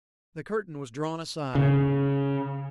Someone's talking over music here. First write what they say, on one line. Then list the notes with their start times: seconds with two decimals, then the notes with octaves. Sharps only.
The curtain was drawn aside.
1.55 C#3